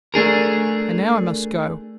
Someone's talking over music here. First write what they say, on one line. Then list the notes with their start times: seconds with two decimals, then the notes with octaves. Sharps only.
And now I must go.
0.14 A3 D4 G#4 A#4